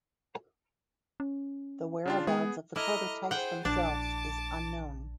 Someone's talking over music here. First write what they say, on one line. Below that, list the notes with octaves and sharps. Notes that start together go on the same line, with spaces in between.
The whereabouts of the prototypes themselves is unknown.
C#4
C#3 D4 F4
G#3 B3 G#4
E4 A4 D#5 A#5 D6 F6
G#4 C5 F#5 G5
A#1 D4 A5 D6